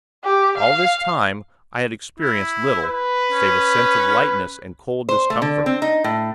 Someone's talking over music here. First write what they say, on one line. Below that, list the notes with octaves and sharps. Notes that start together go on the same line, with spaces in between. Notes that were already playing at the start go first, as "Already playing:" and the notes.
All this time I had experienced little, save a sense of lightness and cold discomfort.
G4
F5
E4
B4
C#4
C5
A3
D3
C4
D#4
A2